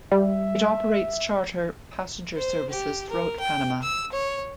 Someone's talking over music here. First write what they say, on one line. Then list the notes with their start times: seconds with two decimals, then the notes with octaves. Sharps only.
It operates charter passenger services throughout Panama.
0.12 G3 E5
2.37 C5
2.70 G4
3.10 A#4
3.40 G5
3.82 E6
4.13 C#5